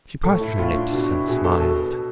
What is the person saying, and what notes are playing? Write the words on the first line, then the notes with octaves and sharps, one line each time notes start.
She parted her lips and smiled.
A2 A4
E4
A2 F4
D4
B2 D4
E4
B2 G#4
A4
B2 A4